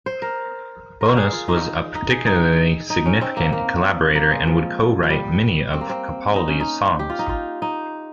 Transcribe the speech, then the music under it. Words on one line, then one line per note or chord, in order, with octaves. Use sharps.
Bonas was a particularly significant collaborator, and would co-write many of Capaldi's songs.
C5
A#4
A#4
G#4
F4
D#4
D#4
G#4
D#4
D#4
C#4
C4
A#3
A#3
A#3
G#3
F3
F3
G3
C4
A#3
C4
D#4
C#4
D#4
G4
F4
D#4
F4
D#4